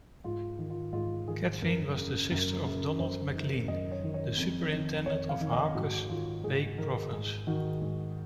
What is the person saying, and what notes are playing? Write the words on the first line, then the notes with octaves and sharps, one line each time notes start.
Catherine was the sister of Donald McLean, the Superintendent of Hawke's Bay Province.
G#2 F4
D#3
F4
G#2 F4
D#3 G#4
F#2 A#4
C#3
F#2
C#3
F#2 C5
D#3
F#2 D#5
C#5
D#3
C#5
F2
D#3
F2 C#5
F5
D#3
D#5
G#2 F#4
D#3 F4
G#2 G#4
D#3 A#4
G#2 G#4
D#3 F#4
G#2